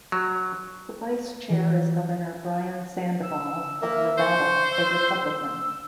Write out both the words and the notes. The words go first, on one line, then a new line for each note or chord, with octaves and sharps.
The vice chair is Governor Brian Sandoval of Nevada, a Republican.
F#3
E3
E6
A#3 E5
C5 C#6
E6